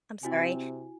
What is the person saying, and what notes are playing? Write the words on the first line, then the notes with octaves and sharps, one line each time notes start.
I'm sorry,
C3 C4 E4 F#4 G#5